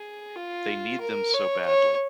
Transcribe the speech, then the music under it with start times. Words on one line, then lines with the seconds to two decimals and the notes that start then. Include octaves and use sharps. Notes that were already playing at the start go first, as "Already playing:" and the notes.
They need them so badly.
Already playing: G#4
0.36 F4
1.01 A#4
1.34 C#5
1.66 C#5